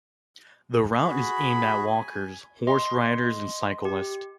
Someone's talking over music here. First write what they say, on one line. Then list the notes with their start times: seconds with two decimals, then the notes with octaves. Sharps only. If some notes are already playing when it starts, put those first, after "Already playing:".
The route is aimed at walkers, horse riders and cyclists.
1.04 F#4 G#4 B5
1.86 G#5
2.67 D#5 C6
3.85 G4